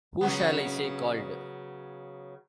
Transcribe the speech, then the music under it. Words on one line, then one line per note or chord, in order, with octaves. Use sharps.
Who shall I say called?
C#3 F#3 B3